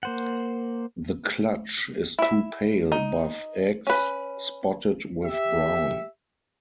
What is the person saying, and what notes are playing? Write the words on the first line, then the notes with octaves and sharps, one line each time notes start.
The clutch is two pale buff eggs, spotted with brown.
A#3 C5 F#5
E4 E5
D#4
C#4 B4
G4 E5